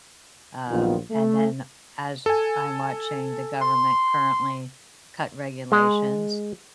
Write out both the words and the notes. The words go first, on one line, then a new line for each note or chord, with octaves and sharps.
Um, and then as I'm watching the government currently cut regulations,
A#1 D#2 D#3 F#3 B3 F4
A3
A4 G#5
C6
G#3